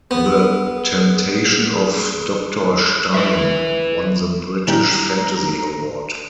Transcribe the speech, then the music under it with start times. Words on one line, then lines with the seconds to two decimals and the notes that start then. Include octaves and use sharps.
"The Temptation of Doctor Stein", won the British Fantasy Award.
0.11 B3 G#4
3.14 B4 E5
4.68 E3 G3 A#5